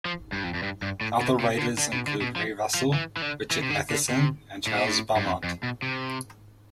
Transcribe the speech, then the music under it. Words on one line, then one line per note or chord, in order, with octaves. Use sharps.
Other writers included Ray Russell, Richard Matheson and Charles Beaumont.
F3
G2
F2
F2
G2
G2
A2
B2
C3
D3
D3
B2
D3
B2
F3
F3
E3
E3
D3
E3
C3
D3
D3
C3
A2
B2
A2
G2
F2
F2
B2
C3